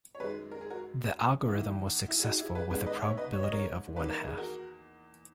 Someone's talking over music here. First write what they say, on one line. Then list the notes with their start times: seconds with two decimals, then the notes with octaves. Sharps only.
The algorithm was successful with a probability of one half.
0.15 C#5
0.20 F#2 D#3 G#3 G#4 B4
0.51 A#4
0.61 G#4
0.70 F#4 A#4
1.45 E2 D#3 A#3 E4
2.08 E4
2.19 G#4
2.24 D#4 F#4
2.40 E4 G#4
2.55 G#4 B4
2.71 G#2 D#3 G#3 B3 G#4 B4
2.86 B4 D#5
3.02 C#5 E5
3.17 B4 D#5
3.33 C#5
3.43 D#5
3.52 A#4 C#5
3.96 E2 D#3 A#3 B4
4.10 A#4
4.24 G#4
4.37 F#4 A#4